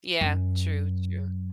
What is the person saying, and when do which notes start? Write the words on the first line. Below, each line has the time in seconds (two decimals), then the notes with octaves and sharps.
Yeah. True, true.
0.21 F#2